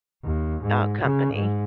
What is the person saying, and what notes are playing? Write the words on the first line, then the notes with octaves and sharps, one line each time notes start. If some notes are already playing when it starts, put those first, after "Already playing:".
uh, company,
D#2
G#2
C#3
G#2